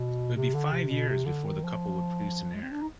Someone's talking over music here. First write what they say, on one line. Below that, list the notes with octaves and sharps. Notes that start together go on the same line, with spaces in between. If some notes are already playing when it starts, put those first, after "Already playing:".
It would be five years before the couple would produce an heir.
Already playing: B2
C3
D3
C3
B2
C3
D3
D#3
F3
G#3
C4
D4
D#4